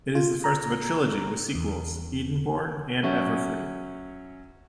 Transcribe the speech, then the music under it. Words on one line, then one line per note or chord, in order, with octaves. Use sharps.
It is the first of a trilogy, with sequels "Edenborn" and "Everfree".
F4
A#5
E2
F#3 C#4 E5